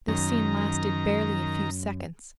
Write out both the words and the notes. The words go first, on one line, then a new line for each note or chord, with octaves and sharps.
This scene lasted barely a few seconds.
F#2 D#3 A#5